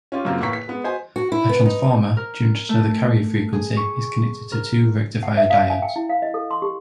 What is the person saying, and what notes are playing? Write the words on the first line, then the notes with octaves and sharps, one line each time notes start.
A transformer, tuned to the carrier frequency, is connected to two rectifier diodes.
C#4 F4 G4
F#2 C#3 A#3 C4 F4 A#4
E2 A2 A#3 A#5 C#6 B6
B6
G#3 B3
F#4 C5 D#5 G#5
F#4
E4
B3
D#4
A#4
A3
G#4
C#6
A#4
F#5
E5
F5
G#5
G5
E4
F5
D#5
A4
C6
G4